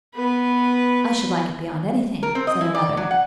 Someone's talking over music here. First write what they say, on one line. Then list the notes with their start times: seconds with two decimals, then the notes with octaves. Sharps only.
"I should like it beyond anything!" said her mother.
0.15 B3 B4
2.23 A#4
2.35 C4
2.47 D#5
2.61 E4
2.75 D5
2.97 F#3
3.11 F#5